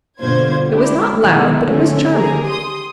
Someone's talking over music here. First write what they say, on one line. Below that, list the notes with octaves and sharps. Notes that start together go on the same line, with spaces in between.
It was not loud, but it was charming.
G2 B2 D3 F4 C5 G#6
G#3 D4 E4 G4
G#2 B2 D#3 G#3 B3 E4
D3 F3 A3 C4 C#4
G4 G#4 A#4
C6 D#6